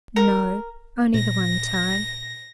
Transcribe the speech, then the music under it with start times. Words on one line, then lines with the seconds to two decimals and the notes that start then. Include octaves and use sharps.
"No, only the one time."
0.16 A#4
1.14 A#2 A#6